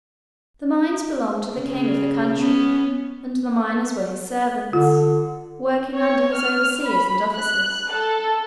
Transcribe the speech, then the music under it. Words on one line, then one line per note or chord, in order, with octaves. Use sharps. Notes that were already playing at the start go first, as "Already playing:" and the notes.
The mines belonged to the king of the country, and the miners were his servants, working under his overseers and officers.
C#3
B3 C#4
D3 F4
C#5
F6
B5
F#6
A4